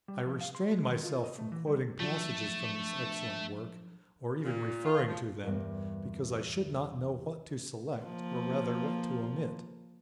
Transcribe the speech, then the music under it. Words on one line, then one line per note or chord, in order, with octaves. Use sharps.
I restrain myself from quoting passages from this excellent work, or even referring to them, because I should not know what to select, or rather, what to omit.
G3
F3
F5
C6
G#3
D#3
F4
D#5
A3
E3
G3
F3 F#3 A3 D4
A#2
F4
F3
E2 G2 G3 A#3
F3 A#3